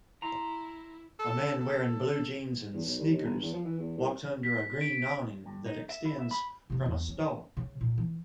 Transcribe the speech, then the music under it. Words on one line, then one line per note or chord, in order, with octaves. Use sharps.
A man wearing blue jeans and sneakers walks under a green awning that extends from a store.
E4 A#5 C6
A4
A4
E2
B1
C2
D#2
G1
E2
F3
E3
E2
C2
B6
D7
G2
D#4
E5
E4
E5
B5
C3 C4
E2
C#4
C#3
A#2
E3